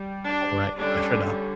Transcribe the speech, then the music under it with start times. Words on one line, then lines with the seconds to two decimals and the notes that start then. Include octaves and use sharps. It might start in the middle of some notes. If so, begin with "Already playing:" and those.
All right, bye for now.
Already playing: G3
0.27 D4
0.78 D3 G3 C#4 D4